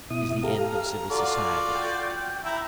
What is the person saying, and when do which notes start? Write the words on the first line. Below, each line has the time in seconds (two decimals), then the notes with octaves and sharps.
It is the end of civil society.
0.10 B2 E4 D#6
0.43 G4 A4 F5 A#5
1.10 F4 F#4 A4 D5
1.75 G5
2.45 E4 E5 A#5